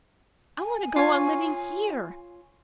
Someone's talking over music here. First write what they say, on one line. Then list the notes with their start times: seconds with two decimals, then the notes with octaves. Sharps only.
I want to go on living HERE.
0.58 G#5
0.96 F4 C#5